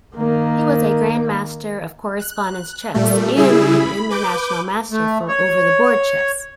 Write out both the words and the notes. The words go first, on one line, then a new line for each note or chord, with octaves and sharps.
He was a Grandmaster of Correspondence Chess and an International Master for over-the-board chess.
D#3 A#3
F#6
A#2 G3 A3
C#3 G3 E4 G#4 E6
B5
B4 D6 G6
A3
C#5